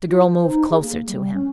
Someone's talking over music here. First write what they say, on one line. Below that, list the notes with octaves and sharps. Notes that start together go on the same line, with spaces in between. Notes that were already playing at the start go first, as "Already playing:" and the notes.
The girl moved closer to him.
F4
C5
D#4
G#4
A#3
G3
C#4